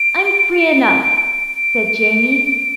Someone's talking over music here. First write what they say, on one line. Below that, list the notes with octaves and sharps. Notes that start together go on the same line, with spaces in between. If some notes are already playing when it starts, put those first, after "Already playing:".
"I'm free enough," said Jamie.
Already playing: D7
D7
D7